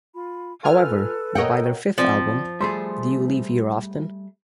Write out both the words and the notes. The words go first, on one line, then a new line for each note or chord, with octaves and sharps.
However, by their fifth album, Do You Leave Here Often?
F4 B5
F4 A4 B4 G#5 F6
A#4 C#5 D#5 F#5 G5
F3 C4 D5
G3 A3 G#4 C6